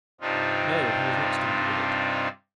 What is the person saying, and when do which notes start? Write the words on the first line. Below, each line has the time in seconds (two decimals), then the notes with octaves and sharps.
No, he was not stingy with it.
0.21 G2 C3 C4 D4 D#4 F4